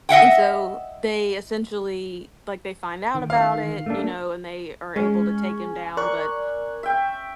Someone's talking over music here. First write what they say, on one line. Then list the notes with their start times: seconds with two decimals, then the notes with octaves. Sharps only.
and so they essentially like, they find out about it, you know, and they are able to take him down, but,
0.09 D#5 E5 F#5 G5
3.15 D#3
3.30 F5
3.86 A3 A#3 D4
4.96 G#3 C#4
5.97 A#4 D5 C#6 F#6
6.83 E5 G5